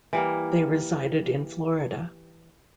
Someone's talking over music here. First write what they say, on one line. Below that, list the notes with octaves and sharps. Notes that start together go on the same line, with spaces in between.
They resided in Florida.
E3 G3 A#3